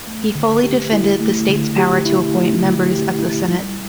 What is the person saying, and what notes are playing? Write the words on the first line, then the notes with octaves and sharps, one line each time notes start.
He fully defended the state's' power to appoint members of the senate.
A3
D3
G4
E4
A3
D3
G4
E4
A3
D3
G4
E4
G3